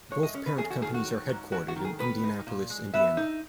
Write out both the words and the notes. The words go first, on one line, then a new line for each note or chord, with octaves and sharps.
Both parent companies are headquartered in Indianapolis, Indiana.
G#3 C#5
D#5
C#4 C#5
B4
E2 G#4
F#4
D#3 G#4
F#4
F#3
G#2
G#2 F#4
F#4
D#3
G#4
B3 B4
D#4
A#2
G#3
B3 E5
D#4